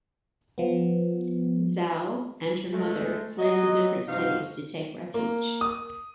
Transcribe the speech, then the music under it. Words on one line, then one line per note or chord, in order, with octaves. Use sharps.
Zhao and her mother fled to different cities to take refuge.
F3 B3
G#3 A3
F#3 D#5
G2 C3 F3 D#4 F#4 F5
A#3
D#6